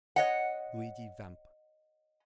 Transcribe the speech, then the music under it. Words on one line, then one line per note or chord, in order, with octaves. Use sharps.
Luigi Vampa.
C#5 D#5 F#5